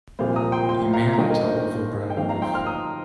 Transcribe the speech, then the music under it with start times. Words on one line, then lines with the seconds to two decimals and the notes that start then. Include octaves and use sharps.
A man on top of a brown roof.
0.19 C2 A#2 F3 C5 F5
0.36 A#5 D#6
0.52 G5 C6
0.69 G5 C6
0.93 F5 A#5
1.13 A#5
1.18 G1 G2 D#3 A#3 D#5 G5
1.30 A#4 D#5
1.43 C5
1.56 A#4
1.68 C5
2.10 G5
2.17 F2 D#3 A#3 C5 F5
2.29 F5 A#5
2.42 G5 C6
2.54 C6 F6
2.66 A#5 D#6